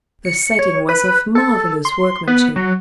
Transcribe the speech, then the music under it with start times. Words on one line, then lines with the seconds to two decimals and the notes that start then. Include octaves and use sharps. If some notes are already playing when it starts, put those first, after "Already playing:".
The setting was of marvelous workmanship.
0.25 C#7
0.59 C#5
0.89 B4
1.35 A4
1.85 C6
2.27 B3
2.56 F#3